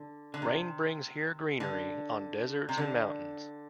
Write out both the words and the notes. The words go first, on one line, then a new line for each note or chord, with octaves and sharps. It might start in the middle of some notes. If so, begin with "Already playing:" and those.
Rain brings here greenery on deserts and mountains.
Already playing: D3
D3
C3
D3
C3
D3